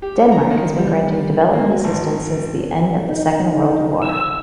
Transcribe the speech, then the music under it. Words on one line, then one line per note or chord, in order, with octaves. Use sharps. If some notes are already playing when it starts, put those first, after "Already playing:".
Denmark has been granting development assistance since the end of the Second World War.
G4
A#5
D#3
G3
A#3
F#3
G#1
D#4
E6